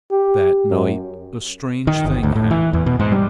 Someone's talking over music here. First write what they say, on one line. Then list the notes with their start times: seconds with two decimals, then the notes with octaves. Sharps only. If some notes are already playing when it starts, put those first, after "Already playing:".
That night a strange thing happened.
0.11 G4
0.70 F#2
1.87 D#3
2.04 G1
2.23 D2
2.35 A2
2.50 E3
2.73 E2
2.86 B2
3.00 G#2
3.12 G3